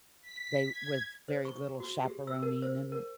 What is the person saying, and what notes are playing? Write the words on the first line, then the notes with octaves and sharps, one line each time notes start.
they with very little chaperoning, and
B6
G#6
C5
C#6
F#4
G4
E6
A#4
C5
A#4